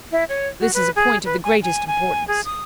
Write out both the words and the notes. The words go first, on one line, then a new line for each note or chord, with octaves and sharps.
This is a point of the greatest importance.
E4
C#5
F#4
B4
G#4
B4
G#5
G#5
G#5
G#4
D#6